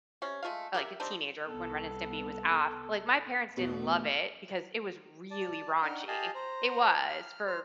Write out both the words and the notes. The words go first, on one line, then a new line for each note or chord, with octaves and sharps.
like, a teenager when Ren and Stimpy was off, like, my parents didn't love it because it was really raunchy. It was for,
C3 C#4
G#3 A3 F4 F5
G4 A#4 B4 E5
G3 C4 D4 D#4
C2 B3 A4
E2 B2 A3 B3
D5 A5
D4 D#4 F#5 G5 F6
G4 D#5 F5 G#5 A5
C5 A#5
F6
C5 F6